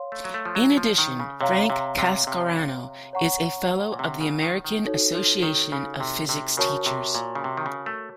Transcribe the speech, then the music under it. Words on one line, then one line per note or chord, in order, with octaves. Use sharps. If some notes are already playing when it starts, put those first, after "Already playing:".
In addition, Frank Cascarano is a Fellow of the American Association of Physics Teachers.
Already playing: C#5 F5 C6
A3
F#3
A3
F3
F#3
F3
D#3
C#3
C3 C#5 F5 A#5
C3
C3
C3
C#5 F#5 A#5 C#6
A#2
C3
C#3
D#3
D#3
D#4 F#4 A4 C#5
F3
D#3
C#3
C3
C3
C#3 F#4 A#4 C#5 A5 C#6
C3
A#2
C#3
C3
D#3
C#3
A3